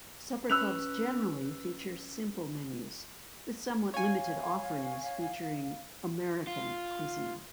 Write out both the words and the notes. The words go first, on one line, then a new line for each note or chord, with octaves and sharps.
Supper clubs generally feature "simple" menus with somewhat limited offerings featuring "American" cuisine.
C#4 B4 E6 F#6 F7
C#5 F5 G#5
F4